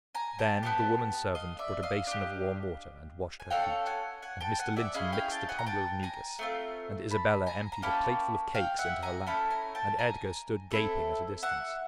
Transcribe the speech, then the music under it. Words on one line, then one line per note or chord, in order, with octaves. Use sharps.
Then the woman-servant brought a basin of warm water, and washed her feet; and Mr. Linton mixed a tumbler of negus, and Isabella emptied a plateful of cakes into her lap, and Edgar stood gaping at a distance.
G#5 A#5
G5 A5
B3 D#4 G4 G5 A5
D#5 F5
D5 E5
D#5 F5
D4 G4
G#5
C#4 F#4 A4 F5 G5
F#5 G#5
F#5 G#5
G5 A5
F#5 G#5
D5 E5
C#4 E4 G#4 D#5 F5
F5 G5
G5 A5
F#5 G#5
A#5
G5 A5
G#5 A#5
A3 C4 F4
A5 B5
G#5 A#5
A#5
A#3 C#4 E4 G5 A5
F5 G5
E5 F#5
G#5 A#5
A3 C#4 E4 A5 B5
G#5 A#5
G5 A5
G#5 A#5
C4 E4 A4
E5 F#5